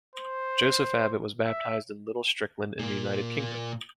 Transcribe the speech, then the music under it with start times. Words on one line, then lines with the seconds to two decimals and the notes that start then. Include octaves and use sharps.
Joseph Abbott was baptized in Little Strickland, in the United Kingdom.
0.16 C5
1.45 E5
2.79 A#2 A#3